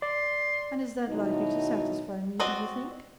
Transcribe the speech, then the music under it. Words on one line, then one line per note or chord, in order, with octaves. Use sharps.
"And is that likely to satisfy me, do you think?"
D5 C6
B2 D#3 F#3 D#4 E4
C4 F#4 D5 D#5